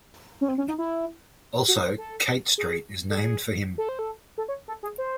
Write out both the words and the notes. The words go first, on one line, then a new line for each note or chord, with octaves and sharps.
Also, Cate Street is named for him.
C#4
C4
C#4
D#4
E4
F#4
C5
A4
G#4
A4
G#4
A4
C5
A4
A4
C#5
A4
G#4
C5